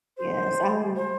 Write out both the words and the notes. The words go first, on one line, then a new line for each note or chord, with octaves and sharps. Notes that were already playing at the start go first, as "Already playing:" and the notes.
Yes. I'm
C5
C5